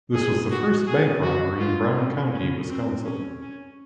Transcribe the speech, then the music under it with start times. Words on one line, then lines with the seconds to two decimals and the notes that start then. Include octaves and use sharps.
This was the first bank robbery in Brown County, Wisconsin.
0.14 G#4
0.51 F#4
0.87 G#4
1.23 F#4
1.60 F4
1.96 C#4
2.33 C#4
2.70 C4
3.05 C#4
3.42 C#4